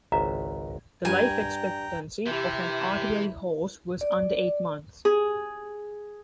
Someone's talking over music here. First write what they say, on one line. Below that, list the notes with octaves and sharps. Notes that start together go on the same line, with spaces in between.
The life expectancy of an artillery horse was under eight months.
G#1 C#2 E5 A#5
G2 G3 G5 G#5 A#5
C3 E3 E4 G4
D5
G#4